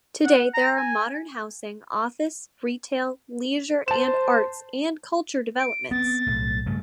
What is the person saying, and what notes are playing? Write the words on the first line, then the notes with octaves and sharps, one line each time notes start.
Today there are modern housing, office, retail, leisure and arts and culture developments.
F#5
A#5
G#5
C5 A5 E7
D7
B3 C4 A6
B1 A2
G2 C#3 A3